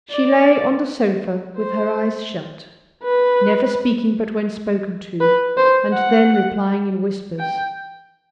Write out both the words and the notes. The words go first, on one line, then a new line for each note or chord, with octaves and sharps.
She lay on the sofa, with her eyes shut, never speaking but when spoken to, and then replying in whispers.
D5
C5
B4
B4
C5
F#5
G5